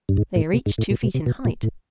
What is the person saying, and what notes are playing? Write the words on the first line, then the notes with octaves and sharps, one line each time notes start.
They are each two feet in height.
G2
G#2
A2
C3
G#2
A2
A#2
B2
C3
B2
A#2
A2